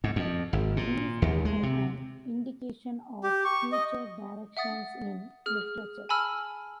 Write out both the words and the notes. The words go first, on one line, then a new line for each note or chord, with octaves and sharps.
These are an indication of future directions in literature.
G#2
F2
G#1
A#2
D#2
G#3
C3
G4
C#6
D#5
E5 F#5 D#6 A6
G#4 F6
G#5 A5 B5 E6 F6